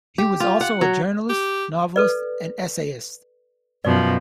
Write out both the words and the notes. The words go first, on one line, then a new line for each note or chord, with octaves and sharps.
He was also a journalist, novelist, and essayist.
G4
F4
F#5
F#3
G4
A4 B4 D5
F#2 B2 F3 D5